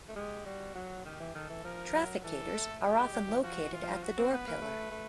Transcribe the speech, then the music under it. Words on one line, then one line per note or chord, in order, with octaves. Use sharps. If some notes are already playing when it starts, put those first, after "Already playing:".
Trafficators are often located at the door pillar.
A3
G#3 G4
G3 F#4
F#3
D#3 G4
E3
D#3 A4
E3
F3 A#4
F#3
E3 A4
A3
G#3 G4
G#3
G3
E3
F3 F#4
E3
F4
F3
F#4
C4
B3 B4
A#3
A3
A3